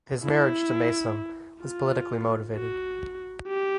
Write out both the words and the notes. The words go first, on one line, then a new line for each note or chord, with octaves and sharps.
His marriage to Maysum was politically motivated.
E4
F4
F#4
G4